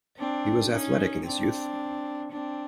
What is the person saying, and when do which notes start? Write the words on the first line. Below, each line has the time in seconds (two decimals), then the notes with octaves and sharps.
He was athletic in his youth.
0.18 C4 D4
0.71 C#4 D#4
1.25 C4 D4
2.31 C4 D4